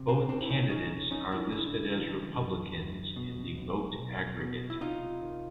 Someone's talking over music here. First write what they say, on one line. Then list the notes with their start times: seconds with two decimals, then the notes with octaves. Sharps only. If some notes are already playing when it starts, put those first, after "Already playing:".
Both candidates are listed as Republicans in the vote aggregate.
Already playing: C3
0.08 C4 D4
0.29 D#3 C4 D4
0.41 E4
0.49 C#4 D#4
0.70 F2 C#4 D#4
1.11 F2 C#4 D#4
1.32 D4 E4
1.52 C#3 D4 E4
1.93 E3
2.34 F#2
2.76 F#2
3.16 B2
3.57 B1
3.99 B1
4.41 B2
4.70 E4
4.81 C3 D#4 F4
5.22 D#3